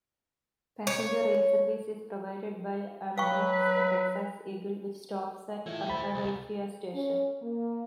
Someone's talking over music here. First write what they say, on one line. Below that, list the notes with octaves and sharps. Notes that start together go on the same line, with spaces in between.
Passenger rail service is provided by Amtrak's Texas Eagle, which stops at Arkadelphia station.
C#5
F#3 B4 F5 G5 C#6
E3 A3 E4 F4 G#6
D2 C5 B5 A6
C2
C#4
A#3